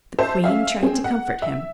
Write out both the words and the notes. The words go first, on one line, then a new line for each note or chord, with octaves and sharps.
The queen tried to comfort him.
C5 E5 A5
C#4 E5 F5
C4 C#4 G#4
F#5
E5